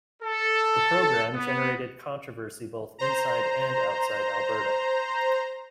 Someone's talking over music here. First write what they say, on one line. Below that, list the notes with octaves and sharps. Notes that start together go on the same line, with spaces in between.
The program generated controversy both inside and outside Alberta.
A4
B3
C5 A#5